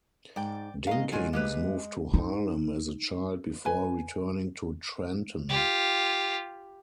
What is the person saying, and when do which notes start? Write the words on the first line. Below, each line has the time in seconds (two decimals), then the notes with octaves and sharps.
Dinkins moved to Harlem as a child before returning to Trenton.
0.36 G#2 D5 G5
0.87 D#3 G#3 A#4 D#5 F5
1.12 F#3 G#3 F4 C#5 G#5
1.33 G#3 A#3 G4 B4
2.14 D#4
3.65 B4 G#5
5.49 F4 G4